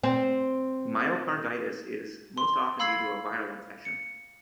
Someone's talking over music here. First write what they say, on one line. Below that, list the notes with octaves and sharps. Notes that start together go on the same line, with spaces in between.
Myocarditis is most often due to a viral infection.
C4
C6
F5 B5 E6 G#6 C7
C#7